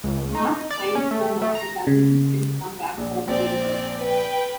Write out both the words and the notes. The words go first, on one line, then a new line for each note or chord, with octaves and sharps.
Marge finds Homer and convinces him to come back home with her.
C#2
D#4
D5
C#4
A3
A3
A#5
C#3
A#1
A#1 C4 D5
B4 G5